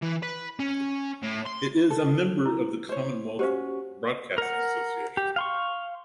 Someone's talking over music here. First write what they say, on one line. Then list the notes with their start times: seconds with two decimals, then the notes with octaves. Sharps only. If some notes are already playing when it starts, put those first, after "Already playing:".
It is a member of the Commonwealth Broadcasting Association.
0.02 E3
0.23 B4
0.59 C#4
1.23 A2
1.46 C6
1.90 A4
2.45 E4
2.89 C5 C#5
3.39 C#4 F#4 G4 C5 F5
4.38 A#4 F#5
5.17 G4
5.36 F5 C6 C#6